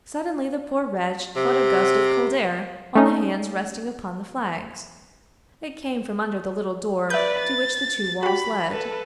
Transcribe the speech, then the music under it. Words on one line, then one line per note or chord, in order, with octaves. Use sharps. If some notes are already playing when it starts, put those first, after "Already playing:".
Suddenly the poor wretch felt a gust of cold air on the hands resting upon the flags; it came from under the little door to which the two walls led.
C3
A3 C#4 D#4
B4 D5 E5 G6
A6
F#4 G4 B5
A4 B4